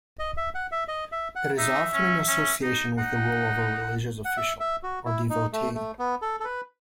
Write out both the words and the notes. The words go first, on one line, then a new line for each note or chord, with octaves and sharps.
It is often in association with the role of a religious official or devotee.
D#5
E5
F#5
E5
D#5
E5
F#5
D#4 E5
C#4
C#4
D#4
D#4 F#5
F#5
E5
E5
F#4
E4
D#4
A3
A3
B3
A4
A4
B4